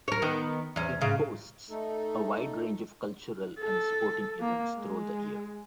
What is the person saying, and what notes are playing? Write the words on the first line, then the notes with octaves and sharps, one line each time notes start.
It hosts a wide range of cultural and sporting events throughout the year.
A#4 C#5
D#3 B3
E2 C#4
G#2 C#3
A3 D#4 A4
A4
A#3
G#3